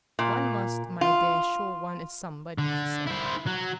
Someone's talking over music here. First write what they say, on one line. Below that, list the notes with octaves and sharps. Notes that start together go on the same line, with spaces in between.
"One must, my dear, show one is somebody," she said.
A#2
F4
D3
E4 C5
F#3